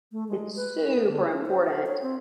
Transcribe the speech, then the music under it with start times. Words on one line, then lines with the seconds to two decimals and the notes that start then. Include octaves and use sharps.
it's super important
0.12 A3
0.28 G#3
0.56 B4
0.93 B3
1.08 D3
1.31 C#4
1.46 C5
1.86 C#5
2.02 C4